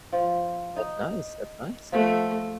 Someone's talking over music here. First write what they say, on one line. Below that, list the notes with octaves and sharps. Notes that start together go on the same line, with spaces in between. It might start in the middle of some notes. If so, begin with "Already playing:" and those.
That's nice, that's nice.
F3
D#4
F3 A3 F#5